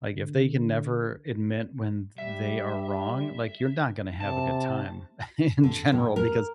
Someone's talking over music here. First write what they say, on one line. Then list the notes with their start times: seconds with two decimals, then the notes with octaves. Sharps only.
like, if they can never admit when th they are wrong, like, you're not gonna have a good time in general because
0.16 D3
2.18 G3 E5
4.20 C3 A5
5.64 D3
5.92 A2
6.16 A#4